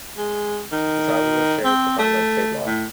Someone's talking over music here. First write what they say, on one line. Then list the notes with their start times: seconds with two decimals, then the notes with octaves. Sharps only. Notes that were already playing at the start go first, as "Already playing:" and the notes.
The size of this share is defined by the state law.
0.17 G#3
0.72 D#3
1.64 C4
1.99 A3
2.67 A2